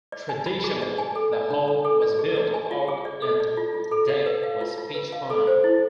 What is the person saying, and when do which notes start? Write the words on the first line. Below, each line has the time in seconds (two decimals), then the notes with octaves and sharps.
Traditionally, the hull was built of oak and the deck was pitch pine.
0.12 D5
0.29 G#5
0.46 B5
0.64 G#4
0.82 D5
0.98 G#5
1.16 A4
1.33 D5
1.51 D4
1.68 D4
1.85 A4
2.02 D5
2.19 G#4
2.36 D5
2.54 G#5
2.71 F4
2.88 G#4
3.05 D5
3.22 A4
3.40 D5
3.57 F4
3.74 F4
3.91 A4
4.09 D5
4.26 B4
4.43 F5
4.61 F4
4.78 F4
4.95 B4
5.12 F5
5.30 A4
5.47 C5
5.64 E4